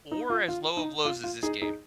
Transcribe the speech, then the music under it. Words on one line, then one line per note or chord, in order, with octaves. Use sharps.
or as low of lows as this game.
D#4
F4
F4
D#4
F4
F4
D#4 G#4
D#4 G#4